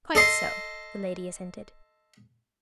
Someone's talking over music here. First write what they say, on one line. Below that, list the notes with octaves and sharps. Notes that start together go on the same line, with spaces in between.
"Quite so," the lady assented.
A4 D#5 C6